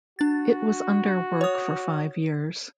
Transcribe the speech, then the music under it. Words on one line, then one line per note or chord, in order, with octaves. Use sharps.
It was under work for five years.
D4 F#4 A6
C#5 D#6